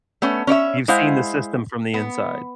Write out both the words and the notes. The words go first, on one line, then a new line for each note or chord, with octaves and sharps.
You've seen the system from the inside.
A3 B3 C#4
C#4 C#5 D5 E5
G#3 E4 C5 F5 F#5
B3